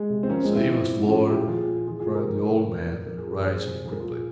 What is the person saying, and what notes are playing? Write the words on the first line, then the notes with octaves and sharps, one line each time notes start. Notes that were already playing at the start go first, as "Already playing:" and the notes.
"Save us, Lord!" cried the old man, rising quickly.
Already playing: G#3
C3
C4
F3 A#3 C#4
G#3 C4
A#2
C4 E4
F3
A#2
F3 C#4 F4
A#2 E4 G4
F3 F4 G#4
A#2
E3 F4 G#4
F4 G#4
C3
G4 A#4
F3
C3
F3
A#2
F3 A#4
G#4
A#2 G4 A#4
F3 G#4 C5
C3
F3 G#4
A#4
A#2 F4 G#4